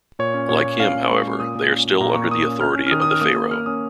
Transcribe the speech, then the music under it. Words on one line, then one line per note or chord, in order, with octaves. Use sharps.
Like him, however, they are still under the authority of the pharaoh.
A#2 C#5
C#4
A#2 C#5
A#2
C#4 F5
A#2
G#3 C#6
C#4
A#2 D#6
A#2
C#4
A#2
A#2 A#5
A#3 C#6
A#3 D#6
C#4
C#4 F6
C#4
F6
D#3 D#6
D#6
C#4 F6
A#3 D#6
A#3
A#3 F6
C#4 D#6